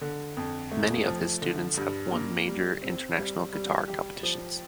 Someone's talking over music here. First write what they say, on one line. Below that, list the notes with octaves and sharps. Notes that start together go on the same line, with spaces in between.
Many of his students have won major international guitar competitions.
D3
F2
A3
F3
D3
G2
A#3
G3
C4
G3
G3
G4
F3